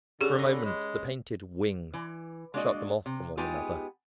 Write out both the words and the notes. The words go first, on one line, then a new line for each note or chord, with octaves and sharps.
For a moment the painted "wing" shut them off from one another.
D3 C#4 G4 G#4
B4 D#5
G#3
E3
G#3 A#3 D4 F#4 D5 D#5
C3
G#3 B3 D#4 F4 G4 G#4